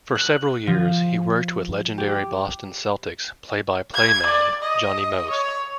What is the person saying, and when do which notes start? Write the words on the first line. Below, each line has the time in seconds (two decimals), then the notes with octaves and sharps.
For several years, he worked with legendary Boston Celtics play-by-play man Johnny Most.
0.15 F#6
0.67 F3
1.98 G4
3.94 G#6
4.26 D5
4.62 D#5
5.30 C#5